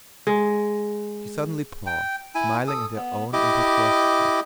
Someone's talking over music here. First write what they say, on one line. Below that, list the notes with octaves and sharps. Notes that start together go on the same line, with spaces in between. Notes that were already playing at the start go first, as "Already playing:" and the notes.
She suddenly paused, smiling at her own impetuosity.
G#3
G5
E4 G#5
A4 D#6
B3
E4 G4 D#5 D6